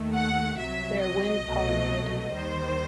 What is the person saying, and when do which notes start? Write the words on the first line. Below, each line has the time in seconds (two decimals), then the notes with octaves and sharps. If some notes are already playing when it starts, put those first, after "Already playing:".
They are wind-pollinated.
Already playing: D#2 D#3 A3
0.15 F#5
0.59 C2 C3 F#3 E5
1.02 D#5
1.46 C2 B2 F#3 A3
2.32 D#2 D#3 G3 C5